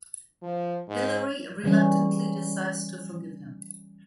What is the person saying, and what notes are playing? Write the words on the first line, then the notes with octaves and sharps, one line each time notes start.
Hillary reluctantly decides to forgive him.
F3
G#2
C#3 E3 G3 C#4